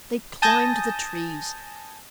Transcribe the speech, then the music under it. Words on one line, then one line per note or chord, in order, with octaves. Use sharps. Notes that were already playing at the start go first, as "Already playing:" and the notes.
They climbed the trees.
G#5 A5 D#6 G6 A#6